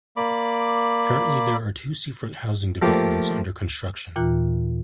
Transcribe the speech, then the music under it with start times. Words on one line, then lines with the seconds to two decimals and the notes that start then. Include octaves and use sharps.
Currently, there are two seafront housing developments under construction.
0.17 A#3 D5 B5 D6
2.82 F3 A3 A#3 G4
4.16 D#2 A#2 E3 F4 A#5 F#6